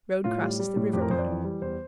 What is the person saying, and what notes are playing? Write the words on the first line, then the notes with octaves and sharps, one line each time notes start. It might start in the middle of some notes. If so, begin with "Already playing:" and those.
Road crosses the river bottom.
A2 F4
G3
G3
A2
F2 G4
A#4
F2 C5
D5
E3
G3
E2 C5